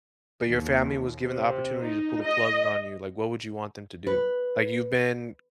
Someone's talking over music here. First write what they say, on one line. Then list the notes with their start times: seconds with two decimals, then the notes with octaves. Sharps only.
But, your family was given the opportunity to pull the plug on you, like, what would you want them to do? Like, you've been,
0.47 D#2
1.22 C3
1.83 D#4
2.23 D#5
4.07 B4